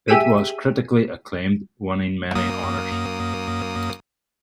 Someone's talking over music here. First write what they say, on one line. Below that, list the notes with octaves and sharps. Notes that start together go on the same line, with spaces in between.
It was critically acclaimed, winning many honors.
G4 G#4 E5 E6 B6 D#7
F#2 A#3 D#6